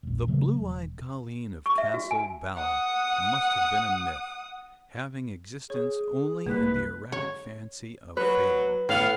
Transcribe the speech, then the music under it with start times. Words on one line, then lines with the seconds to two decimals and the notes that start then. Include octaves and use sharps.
The "blue-eyed colleen" of Castle Ballagh must have been a myth--having existence only in the erratic fancy of Phelim.
0.03 E1 A#1
0.28 C#3 F#3 G3 A3
0.59 E1
1.66 C#6
1.78 E5
1.94 F#4
2.11 G#5
2.55 F#5 D#6
5.70 G#4 C#5
6.46 C2 A#3 B4
7.12 C#5
8.17 F#3 B4
8.89 A2 B3 F5